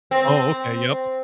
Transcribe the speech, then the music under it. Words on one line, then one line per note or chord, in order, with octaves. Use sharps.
Oh, okay, yep.
C4